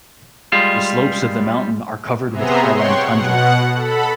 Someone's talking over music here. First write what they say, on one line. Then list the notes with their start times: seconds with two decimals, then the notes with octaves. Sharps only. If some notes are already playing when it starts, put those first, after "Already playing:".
The slopes of the mountain are covered with highland tundra.
0.52 G3 G#3 F4
2.30 C3 B3 G#4 E5 A#5 C6
2.72 C#5 F#5 G5 C6 C#6
3.07 B2 F#5
3.74 A4 B5